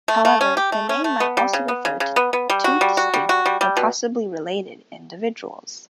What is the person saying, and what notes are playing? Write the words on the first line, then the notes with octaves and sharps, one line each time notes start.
However, the name might also refer to two distinct, though possibly related, individuals.
A3
A3
C#4
G4
A3
C#4
A3
B3
G3
C#3
B3
C#3
C#3
B3
B3
G3
F#4
G3
F#4
G3
F#4
G3
G3
B2